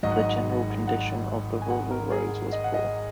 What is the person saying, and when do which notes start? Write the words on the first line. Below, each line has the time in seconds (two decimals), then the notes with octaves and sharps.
The general condition of the rural roads was poor.
0.03 G#1 G#2 F#3 D#5
0.11 F#5
0.19 D#5
0.87 F#5
1.62 G#5
1.70 F#5
1.91 A#4
2.11 G#4
2.52 D#5
2.64 F#5
2.74 D#5